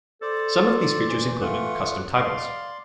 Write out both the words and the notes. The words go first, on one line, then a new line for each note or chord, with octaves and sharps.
Some of these features included: Custom titles.
A4 C5 D5
E3
A3 F4 F#5
D5 F5 C6